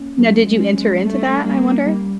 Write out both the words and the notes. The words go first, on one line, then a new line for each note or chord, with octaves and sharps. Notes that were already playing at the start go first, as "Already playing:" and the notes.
Now did you enter into that, I wonder?
Already playing: A#3 C#4
F#3 A3
G#3
C#4
G#3
G3 A3
G3 A#3
G3